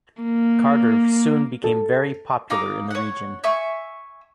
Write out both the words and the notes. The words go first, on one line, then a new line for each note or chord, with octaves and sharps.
Carter soon became very popular in the region.
A#3
A4
D#4 F5 A#5 D6
C#5 F#5
E5 G#5 C#6